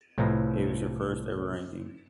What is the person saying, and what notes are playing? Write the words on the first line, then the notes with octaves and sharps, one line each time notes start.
It was her first ever ranking.
C2 A2 F3 B4 D#5 A#5